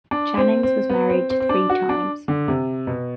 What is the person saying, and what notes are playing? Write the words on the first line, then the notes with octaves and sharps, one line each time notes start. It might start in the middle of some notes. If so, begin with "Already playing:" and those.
Jannings was married three times.
D4
C4
C4
B3
C4
C4
C4
D4
F#4
D4
D3
C3
B2